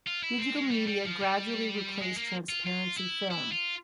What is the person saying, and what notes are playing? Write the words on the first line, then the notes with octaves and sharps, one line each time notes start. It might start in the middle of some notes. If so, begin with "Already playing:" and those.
Digital media gradually replaced transparency film.
F4
E4
C4
G#3
G3
G3
F3
G3
G#3
A#3
F4
F4
E4
E4
F4